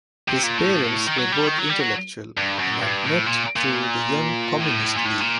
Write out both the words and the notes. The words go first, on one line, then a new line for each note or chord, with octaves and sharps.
His parents were both intellectual and had met through the Young Communist League.
C3
A#2
A2
D#3
F#3
G3
D#3
F#3
G3
F#3
G2
F#2
G2
A2
A#2
A#2
A2
A#2
A2
A#2